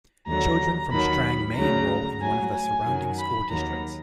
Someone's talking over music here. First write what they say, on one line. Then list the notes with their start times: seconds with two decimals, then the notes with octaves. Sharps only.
Children from Strang may enroll in one of the surrounding school districts.
0.26 D#2 D3 F#3 A#5
0.91 D#2 D#3 F#3 B5
1.55 D2 C#3 F#3 A#5
2.20 A2 F#3 G#5
2.53 G#5
2.85 F#2 D#3 F#3
3.18 B5
3.49 D#2 D#3 F#3 A#5